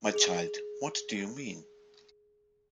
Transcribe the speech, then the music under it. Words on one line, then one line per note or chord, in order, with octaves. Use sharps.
My child, what do you mean?
G#4 F7